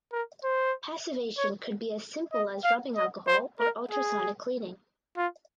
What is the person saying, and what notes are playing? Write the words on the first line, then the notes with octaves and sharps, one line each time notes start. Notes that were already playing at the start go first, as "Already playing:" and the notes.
Passivation could be as simple as rubbing alcohol or ultrasonic cleaning.
A#4
C5
C#5
D#5
F5
D#5
C5
A#4
G#4
F4